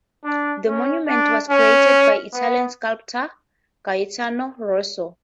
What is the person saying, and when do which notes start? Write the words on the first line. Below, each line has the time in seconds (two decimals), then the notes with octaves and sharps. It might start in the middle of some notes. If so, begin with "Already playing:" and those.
The monument was created by Italian sculptor Gaetano Russo.
0.24 D4
0.67 C#4
1.08 D4
1.50 C#4
2.33 B3